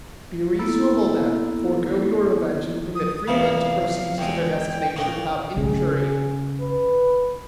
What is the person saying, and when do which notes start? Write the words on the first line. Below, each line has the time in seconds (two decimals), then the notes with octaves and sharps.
Be reasonable, then; forego your revenge and permit free men to proceed to their destination without injury.
0.59 A#3 B3 E4 A4
2.95 D#6
3.27 E2 C3 F3 F4 B4 F5
4.18 E2 G#3 G5
4.61 D5
4.96 A#2 C#4 A4 C#6
5.57 C#3 G#4
6.60 B4